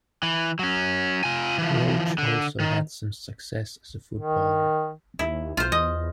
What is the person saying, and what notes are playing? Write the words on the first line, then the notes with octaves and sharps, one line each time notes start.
Roach also had some success as a footballer.
E3
F#3 C#4
F4 G#5
E3 F3
D3
D#3
D#3
D#2 E4
B1 F4 C5
E2 D#5